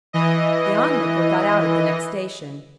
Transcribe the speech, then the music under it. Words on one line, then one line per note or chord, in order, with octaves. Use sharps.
The Onlooker got out at the next station.
E3 D#5